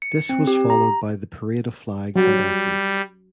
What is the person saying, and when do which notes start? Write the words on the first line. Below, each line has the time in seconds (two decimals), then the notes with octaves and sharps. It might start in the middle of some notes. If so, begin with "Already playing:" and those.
This was followed by the Parade of Flags and Athletes.
0.02 C#7
0.29 C4
0.47 G4
0.70 A#5
2.16 F#3 G3